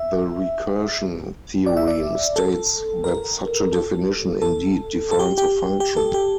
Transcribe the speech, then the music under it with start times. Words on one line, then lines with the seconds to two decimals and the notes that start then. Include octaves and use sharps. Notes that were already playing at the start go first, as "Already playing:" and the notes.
The recursion theorem states that such a definition indeed defines a function.
Already playing: E5
1.66 D5
1.77 E5
1.88 D5
2.36 A4
3.04 A#4
3.73 A4
4.42 A4
5.11 A4
5.19 G4
5.38 G4
5.80 G4
5.97 A4
6.14 G4